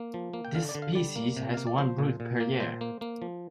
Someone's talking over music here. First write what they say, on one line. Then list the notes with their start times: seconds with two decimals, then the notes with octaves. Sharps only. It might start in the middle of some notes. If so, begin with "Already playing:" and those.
This species has one brood per year.
Already playing: A#3
0.14 F3
0.33 A#3
0.45 G5
0.55 D3 F5
0.69 D5
0.75 D3
0.82 F5
0.95 G3 D5
1.16 A#3
1.37 C3
1.54 A#3 F5
1.67 D5
1.78 F3 C5
1.99 A#2
2.20 A#2
2.40 A#3
2.60 A#2 C5
2.81 A#3
3.01 A#3
3.22 F3